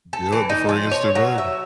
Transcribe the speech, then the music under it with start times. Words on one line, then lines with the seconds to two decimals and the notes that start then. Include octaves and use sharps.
Do it before he gets too big.
0.13 A4
0.32 E3
0.50 D#4
0.69 F3
0.91 C#5
1.15 F#3
1.38 E5